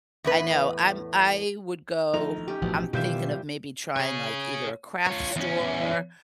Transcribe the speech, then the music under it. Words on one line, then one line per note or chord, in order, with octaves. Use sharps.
I know, I'm I would go I'm thinking of maybe trying, like, either a craft store
E2 A2 B4
A#1 A3 D#4 F7
C#4 G4
A1 B2 F3
F#1 B2 D#3 E3 G3 F4 E5 G6
G#4 C#5
F4 C#5
E2 C#4